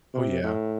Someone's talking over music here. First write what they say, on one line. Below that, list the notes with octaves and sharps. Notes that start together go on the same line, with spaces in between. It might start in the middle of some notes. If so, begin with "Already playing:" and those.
Oh, yeah.
C3
A2